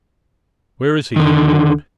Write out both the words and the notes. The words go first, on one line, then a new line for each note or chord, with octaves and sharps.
"Where is he?" he roared.
D3 D#3